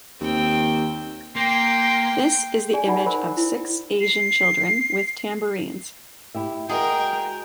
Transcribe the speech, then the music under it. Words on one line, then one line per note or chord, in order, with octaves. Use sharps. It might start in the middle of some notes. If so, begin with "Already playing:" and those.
This is the image of six Asian children with tambourines.
D#2 C4 G5
A#3 G5 C6
G#4 D5 G#5
D#4 D5 F#5 B5
A#4 C5 B5
E4
C7
E4 G4 E5
G#3 F#4 G#4 A#4 G5